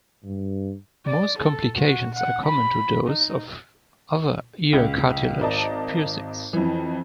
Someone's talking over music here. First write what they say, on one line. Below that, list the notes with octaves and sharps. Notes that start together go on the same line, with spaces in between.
Most complications are common to those of other ear cartilage piercings.
G2
D5
A4
F#4
F#5
B5
D#4
C#2
G#1 A#4 D5 D#5 A5
F2 E3